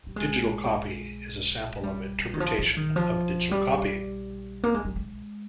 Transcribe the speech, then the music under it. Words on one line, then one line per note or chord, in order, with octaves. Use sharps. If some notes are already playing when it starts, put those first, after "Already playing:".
Digital Copy is a sample of interpretation of digital copying.
G3
G#3
G3
D#3
F3
F3
D#3
F3
G3
A#3
G#3
G3
G#3